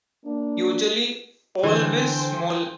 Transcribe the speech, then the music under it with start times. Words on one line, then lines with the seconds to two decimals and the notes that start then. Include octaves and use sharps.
Usually always small!
0.25 A#3 D4
1.63 D3 E3 C5 G5 G#5